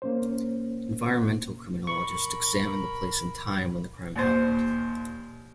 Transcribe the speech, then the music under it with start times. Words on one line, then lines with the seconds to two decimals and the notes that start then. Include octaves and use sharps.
Environmental criminologists examine the place and the time when the crime happened.
0.02 A#3 C#4 C5
1.87 A#4 B5 C#6
4.16 D#2 A#2 C5